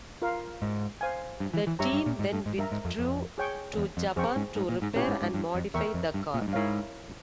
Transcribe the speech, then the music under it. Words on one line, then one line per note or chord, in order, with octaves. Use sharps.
The team then withdrew to Japan to repair and modify the car.
F4 A#4 F5
G#2
C5 F5 G#5
G2
E3
E3
G2 G4 C#5 E5 A#5 C#6
G2
A#2
G#2
G2
G#2
G2 A#4 E5 A#5
G#2
F2
F2
G#4 C#5 G5 C#6
E2
F2
F2 G#4 C5 G5 C#6
G#2
G#2
A#2
G#2
A#2 C#4 E4 G4 C#5
G#2
G#2
G2
F2
E2 A#4 E5 G5 C#6
F2
G2
A#2
G#2
G2
G#2 E4 A#4 C#5 F5